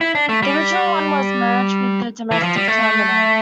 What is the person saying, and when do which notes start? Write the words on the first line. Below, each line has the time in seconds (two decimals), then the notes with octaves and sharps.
The original one was merged with the domestic terminal.
0.01 E4
0.15 D4
0.29 A3
0.43 G3
2.31 E3
2.43 F3
2.56 G3
2.68 A3